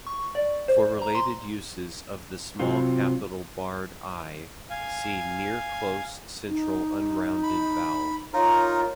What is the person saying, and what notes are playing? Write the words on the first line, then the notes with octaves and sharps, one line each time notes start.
For related uses of the small capital barred i, see near-close central unrounded vowel.
C#6
D5
C5
A#5
C6
C3 F#3 C4 F4
F5 G#5
D#4
B5
D#4 F4 A#4 C#5